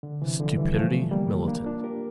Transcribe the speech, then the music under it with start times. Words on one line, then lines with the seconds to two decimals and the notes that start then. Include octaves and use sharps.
Stupidity militant.
0.03 D3
0.22 C3 E3
0.40 D3 F3
0.57 E3 G3
0.75 F3 A3
1.11 G3 A#3
1.47 A#3 D4
1.66 D4 F4
1.84 G4 A#4